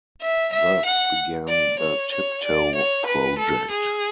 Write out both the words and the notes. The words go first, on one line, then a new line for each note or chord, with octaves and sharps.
Thus began the Tip Tow project.
E5
E5
F#5
D5
C#5
C#5
D5
C#5
B4
A4
G#4